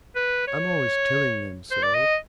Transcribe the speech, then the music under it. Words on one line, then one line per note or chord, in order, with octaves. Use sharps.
I'm always telling them so.
B4
C#5
C5
D5
D#5